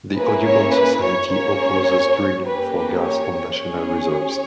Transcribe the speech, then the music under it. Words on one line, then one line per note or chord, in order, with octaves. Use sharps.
The Audubon society opposes drilling for gas on national reserves.
A#3 C#4 E4 G#4 B4
C#5
B4
C#5
A#3 C#4 G#4 C#5
A#3 C#4 G4 B4
B4
C#5
C#4 G#4 C#5